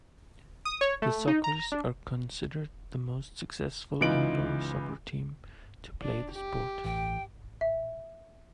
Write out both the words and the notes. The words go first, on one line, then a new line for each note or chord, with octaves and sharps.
The Sockers are considered the most successful indoor soccer team to play the sport.
D#6
C#5
A3
D#4
A#5
D4
C#2 E3 D#4 F4 D7 F#7
D4
G4
A1 E3 G5
E5